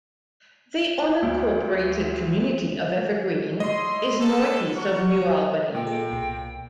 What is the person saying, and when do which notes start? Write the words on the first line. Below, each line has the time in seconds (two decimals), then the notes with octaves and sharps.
The unincorporated community of Evergreen is northeast of New Albany.
1.23 D2
3.60 E4 C#5 D#5 C6
4.18 D4 G4 A4
4.74 A#4 F#5 C#6
5.75 A#2 G5
5.87 A#3 G#4 A4
6.12 C2 B2